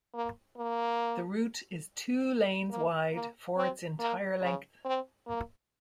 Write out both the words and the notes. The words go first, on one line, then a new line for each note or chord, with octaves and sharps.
The route is two lanes wide for its entire length.
A#3
A#3
A#3
A#3
C4
A#3
C#3
C4
A#3